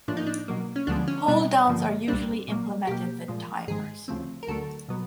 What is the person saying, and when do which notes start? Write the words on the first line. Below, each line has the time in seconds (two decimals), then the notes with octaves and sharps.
Holddowns are usually implemented with timers.
0.08 A2 F3 A#3 D4
0.17 D#4
0.27 D4
0.48 B2 F#3 A#3
0.76 C#4
0.87 D2 D3 F3 G#3 B3 D4
1.08 C#4
1.28 B2 G3 B3 D4
1.67 G2 D3 F3 A#3
2.08 C2 A#2 G3 C4 D4
2.48 A#2 F#3 A#3
2.87 B2 F#3 A#3 G4
3.28 A#2 F3 G#3
3.68 G#2 D#3 G#3 G#4
4.08 D2 C#3 F3 A3 C4
4.43 A#4
4.47 D2 D3 F#3 A3 A4
4.89 B2 F#3 B3